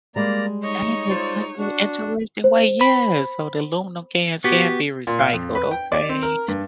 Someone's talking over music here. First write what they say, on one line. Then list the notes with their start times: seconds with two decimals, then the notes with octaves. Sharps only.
That is such a interesting way. Yes, so the aluminum cans can be recycled. Okay,
0.16 G3 G#3 A#3 D5 A#5
0.63 D#4 C#5 D#5
1.09 F4 C5 D5
1.58 D4 F#4
2.44 C5
2.81 B5
4.44 B3 F#4 G4
5.07 A#2
5.19 F5
5.33 F2
5.55 B4
5.71 G5
5.92 D5
6.09 C4
6.23 A#4
6.48 G2